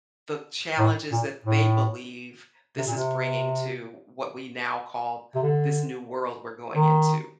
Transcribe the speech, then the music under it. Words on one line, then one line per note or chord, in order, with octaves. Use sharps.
the challenges that they believe this is bringing to what we now call this new world we're going into.
A2
A#2
A2
C3
A#2
C3
C3
D3
D#3